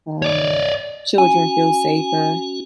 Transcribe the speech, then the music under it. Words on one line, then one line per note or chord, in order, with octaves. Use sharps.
um, children feel safer.
C#5 D5
C#4 F#4 G#5